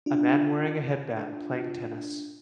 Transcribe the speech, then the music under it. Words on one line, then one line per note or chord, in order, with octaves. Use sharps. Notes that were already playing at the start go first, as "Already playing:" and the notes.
A man wearing a headband playing tennis.
D4 F4